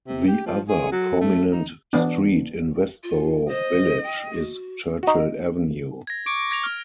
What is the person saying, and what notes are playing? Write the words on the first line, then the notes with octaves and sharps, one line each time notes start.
The other prominent street in Westboro Village is Churchill Avenue.
C3
G4
F3
G#4
F#3
A3
D#4
E3 B3 D4
F4
C5 D#5
G5
F#4
D#4 F#4
G#6 A#6
C#6 D6 D7
G#6 A#6 F7
F6